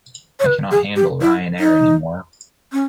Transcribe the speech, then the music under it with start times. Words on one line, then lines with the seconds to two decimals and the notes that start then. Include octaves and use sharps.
I cannot handle Ryan Air anymore.
0.40 C#5
0.46 B4
0.71 G#4
0.96 G4
1.21 E4
1.59 D#4
2.73 C#4